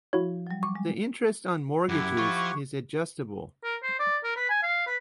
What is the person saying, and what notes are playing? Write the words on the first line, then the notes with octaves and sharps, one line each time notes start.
The interest on mortgages is adjustable.
F3 E4 F#4 C#5
F#3 G3
C#6 D6
G#3
F#2 E4 G4 F#5
F3 F4 C#6
A#4
C5
D5
A#4
B4
G#5
F5
B4